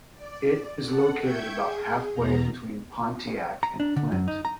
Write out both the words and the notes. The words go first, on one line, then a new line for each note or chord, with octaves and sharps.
It is located about halfway between Pontiac and Flint.
D5
A4 F#5
E5 G5 C#6 G6 G#6
G#4
E2 B2 B3 A#5
A#5
D4
D3
F#2
D#4
A#5